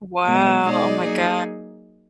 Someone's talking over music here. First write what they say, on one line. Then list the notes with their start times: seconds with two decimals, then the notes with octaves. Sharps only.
Wow, oh my gosh.
0.25 B2 G#3 B3
0.65 B2 G#3 D#4 G#4 D5
1.02 F#3 A#3 D#4 G#4